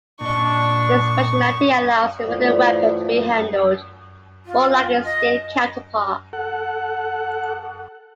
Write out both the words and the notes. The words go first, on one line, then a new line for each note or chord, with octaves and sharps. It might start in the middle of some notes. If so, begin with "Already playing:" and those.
This functionality allows the wooden weapon to be handled more like its steel counterpart.
A#2 D4 D#5 C#6
A2 E3 F4 C5 D5
F4
D#5
A4 F#5